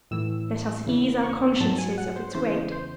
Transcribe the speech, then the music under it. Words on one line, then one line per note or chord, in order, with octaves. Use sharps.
Let us ease our consciences of its weight.
A2 E3 E6
E2 C#3 E3
C#6
G#2 F#3 A5
G#5
F#5
C5
E2 C#3 E3 C5
C5